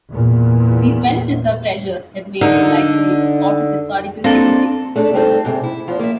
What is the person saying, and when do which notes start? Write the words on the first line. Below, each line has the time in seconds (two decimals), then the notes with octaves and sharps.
These well-preserved treasures have made the library a spot of historical significance.
0.12 E2 A#2
2.41 D3 D#4 A#4
4.24 A#3 C4 D4 A4
4.96 A3 D4 D#4 A4
5.13 G3 A3 C4 D#4 F4 A4
5.45 G#2 C3
5.64 E4
5.88 E2 F3 F4
5.99 A#3 E5